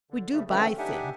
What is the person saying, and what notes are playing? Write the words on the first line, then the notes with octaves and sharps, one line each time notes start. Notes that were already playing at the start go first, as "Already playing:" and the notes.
We do buy things.
D3
C#3 G3 A3
D3 E3 A3 C4 C#4
D4 D#4 G4 E5 F#5 G#5